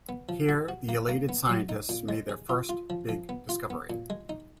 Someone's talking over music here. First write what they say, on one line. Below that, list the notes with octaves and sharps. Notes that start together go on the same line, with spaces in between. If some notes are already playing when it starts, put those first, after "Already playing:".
Here the elated scientists made their first big discovery.
B3
F3
F#4
F#4
A#3
A#3
B3
F#3
D#4
A#2
G#3
G#4
F4
F4
F3
F3
B3
F4
B3
A#2
G#3
D#4